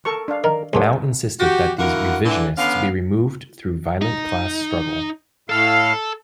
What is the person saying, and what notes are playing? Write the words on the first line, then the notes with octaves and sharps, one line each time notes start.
Mao insisted that these "revisionists" be removed through violent class struggle.
A4 A#4 C#6
D4 F5
D#3 A#4
C#2 A#2 F#3 D4 G#4 C5
F#4 G4
D3 E4 F#4 A#4 F5 F#5
D3 E3
D3 B3 C#4 F5
D#4
A2 A4 F5 A5